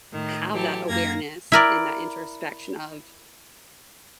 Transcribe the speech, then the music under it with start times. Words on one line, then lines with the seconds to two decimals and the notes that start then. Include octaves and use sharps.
have that awareness and that introspection of,
0.12 A2 D#3
0.53 E3 F#3 G4 A4
0.88 F#2 A#3 G#6 A#6
1.52 E4 A#4 D5